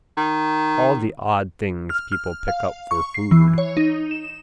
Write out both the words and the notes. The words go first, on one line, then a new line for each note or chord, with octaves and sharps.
All the odd things people pick up for food.
D#3
F6
F6
F5
C#6
C7
E3
C#5
D#4
E7